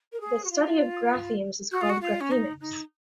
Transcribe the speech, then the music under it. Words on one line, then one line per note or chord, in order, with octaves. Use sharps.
The study of graphemes is called graphemics.
A#4
G#4
F#4
F4
F#4
F4
F#4
F4
C#4
D#4
D#4